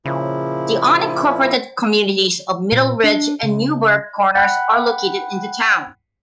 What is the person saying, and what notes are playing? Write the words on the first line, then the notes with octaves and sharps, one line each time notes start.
The unincorporated communities of Middle Ridge and Newberg Corners are located in the town.
A#2 C#3 F3 E4
A#2
D4
C#3
F#5 G5 B5 F#6